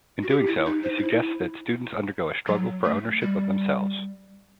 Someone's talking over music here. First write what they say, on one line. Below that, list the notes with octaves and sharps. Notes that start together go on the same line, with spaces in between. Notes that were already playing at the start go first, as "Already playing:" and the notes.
In doing so, he suggests that students undergo a struggle for ownership of themselves.
F#4
G4
E4
D#4
C5
D#4
E4
F#3
A3
G3